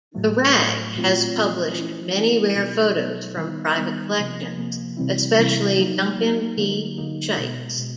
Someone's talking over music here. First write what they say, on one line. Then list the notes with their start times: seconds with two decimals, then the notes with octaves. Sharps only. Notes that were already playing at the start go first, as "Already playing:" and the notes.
"The Rag" has published many rare photos from private collections, especially Duncan P. Schiedt's.
0.14 A2 F#3 A3
0.56 A2 F#3 A3
0.96 A#2 F#3 A3 C4 F4
1.36 A#2 F#3 A3 C4 F4
1.75 E3 A3 C#4 E4
2.16 E3 A3 C#4 E4
2.55 B2 F#3 B3 D#4
2.96 B2 F#3 B3 D#4
3.37 D#3 G3 B3 D#4
3.77 D#3 G3 B3 D#4
4.16 C3 F3 A#3
4.57 C3 F3 A#3
4.97 C3 E3 G3 C4 E4
5.38 C3 E3 G3 C4 E4
5.78 F#3 A#3 D#4
6.18 F#3 A#3 D#4
6.57 D3 F#3 A#3 D#4
6.98 D3 F#3 A#3 D#4
7.38 B2 G#3 B3
7.78 B2 G#3